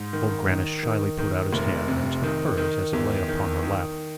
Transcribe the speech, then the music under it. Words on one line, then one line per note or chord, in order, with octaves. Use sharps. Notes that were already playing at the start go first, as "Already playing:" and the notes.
Old Grannis shyly put out his hand and took hers as it lay upon her lap.
Already playing: G#2
D#3
D#3
D#3
D#3
F1
C3
D#3
D#3
E2
D#3
D#3